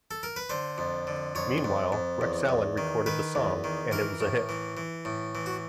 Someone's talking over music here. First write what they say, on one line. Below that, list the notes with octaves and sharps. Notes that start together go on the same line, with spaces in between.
Meanwhile, Rex Allen recorded the song, and it was a hit.
A4
A#4
B4
D3 C5
F2
D3
F2 C#5
F2
F2
E2
E2
D#3
D#3 B4
E2
D#3
E3 A#4
A2
E3
E3
A2
E3
F#4